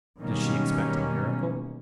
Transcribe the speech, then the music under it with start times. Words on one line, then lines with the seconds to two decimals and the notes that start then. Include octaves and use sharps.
Does she expect a miracle?
0.20 B2 D#3 F#3 G3 A#3 C#4